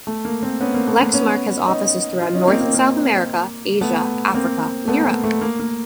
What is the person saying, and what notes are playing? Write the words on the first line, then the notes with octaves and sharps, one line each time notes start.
Lexmark has offices throughout North and South America, Asia, Africa and Europe.
A3
A#3
A#3 C4
B3 C#4
A#3 C4
A3 B3
A#3
B3 C#4
C#4 D#4
D#4 F4
C#4 D#4
A#3 C4
A#3 C4
A#3
A3 B3
A#3 C4
A3 B3
A#3
A3
A#3
A#3